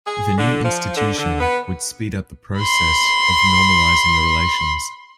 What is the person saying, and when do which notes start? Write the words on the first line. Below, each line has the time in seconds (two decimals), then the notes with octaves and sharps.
The new institution would speed up the process of normalizing the relations.
0.06 G#4
0.38 D3
0.64 F3
0.96 D3
1.18 D3
1.41 B3
2.59 B5 C6